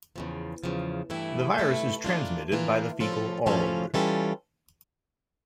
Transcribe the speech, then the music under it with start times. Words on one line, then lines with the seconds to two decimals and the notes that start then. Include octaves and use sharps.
The virus is transmitted by the faecal-oral route.
0.16 E2 C#3 F3
0.64 E2 C#3 F3
1.10 G2 E3 A3 E4
1.58 G2 E3 A3 E4
2.04 E3 A#3 D4 F4
2.52 E3 A#3 D4 F4
3.00 A2 F3 C#4 F4 A4
3.46 A2 F3 C#4 F4 A4
3.94 E3 G3 C#4 F4 A4